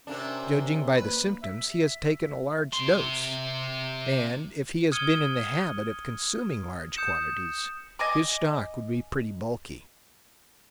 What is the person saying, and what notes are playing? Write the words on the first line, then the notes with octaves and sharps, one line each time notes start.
Judging by the symptoms, he has taken a large dose, and, if he has been in the habit of consuming large quantities, his stock would be pretty bulky.
C3 A#3 C#4 D4
A#3 B4
E5
C3 C6
D#6 F6 G#6 C#7 D#7 G7
D#6 G6 C#7 E7
D#5 G#5 D6